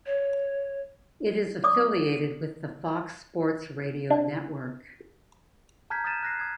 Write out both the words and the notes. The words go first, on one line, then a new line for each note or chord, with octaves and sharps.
It is affiliated with the Fox Sports Radio network.
C#5
D5 D6 D#6
D4
A5 A#5 F6 G6 G#6 B6
D#6 F6 G6 A6 D#7 E7
F#6 A#6 C7
D#6 G#6